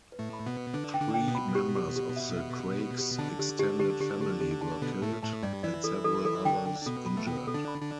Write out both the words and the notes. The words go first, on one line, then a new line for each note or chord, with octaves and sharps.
Three members of the Craiggs' extended family were killed, and several others injured.
B4
A2 A3
B5
B2 B3
B4
D3 D4 B4
G5
D3 D4
G5
B2 B3
B5
G4
G4
G4
E5
E5
G4
G4
G4
D3 D4 A5
G4
G4
G4
G4
G4
G4
A5
B2 B3 A4
A2 A3 A5
A2 A3 A5
G2 G3 D5
E3 E4 D5
A4
A4
A4
D3 D4 G5
G5
D4
B2 B3 A4
B5
A3
B2 B3 G5
A4
D3 D4
B5
D3 D4